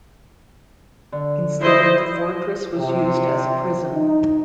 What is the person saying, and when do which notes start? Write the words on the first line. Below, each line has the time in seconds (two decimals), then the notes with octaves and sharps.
Instead the fortress was used as a prison.
1.12 D3
1.60 E4 C5 D#5
2.77 C3
3.95 D#4